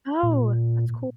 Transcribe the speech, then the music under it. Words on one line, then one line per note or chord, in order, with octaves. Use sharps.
Oh, that's cool.
A#2